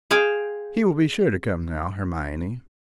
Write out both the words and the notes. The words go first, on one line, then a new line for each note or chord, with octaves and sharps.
"He will be sure to come now, Hermione."
G#4 C5 F5 G5